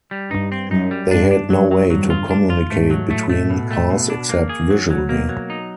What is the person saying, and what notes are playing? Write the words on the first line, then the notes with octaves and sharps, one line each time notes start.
They had no way to communicate between cars except visually.
G3
G2 D#4
C4
F#2 D#4
G3
G2 D4
D4
F#2 F#3
F#3
G2 F#3
F4
D4
F4
G#2 A3
F#3
A2 A3
A3
B2
A3
B2
D4
A#3
G#4
F#3
F#3
B2 A#3
F#3
D#4